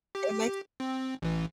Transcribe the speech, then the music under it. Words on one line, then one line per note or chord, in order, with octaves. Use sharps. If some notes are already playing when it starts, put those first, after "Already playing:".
That makes
G4
C4
A1 E3